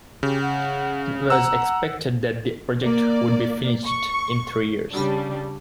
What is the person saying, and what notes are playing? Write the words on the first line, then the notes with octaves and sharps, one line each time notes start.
It was expected that the project would be finished in three years.
C#3 G4
F#5
F#5 A#5 E6
A#3 D5
C#6
C#3 G3 D4